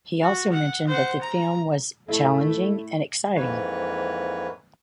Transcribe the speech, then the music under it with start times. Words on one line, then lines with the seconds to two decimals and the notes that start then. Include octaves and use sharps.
He also mentioned that the film was "challenging" and "exciting".
0.22 F#4
0.53 F#5
0.88 C5 F#5
1.22 A#5
2.08 A2 A3 E4 A4
3.36 F2 G#2 E3 A#3 B4 C#5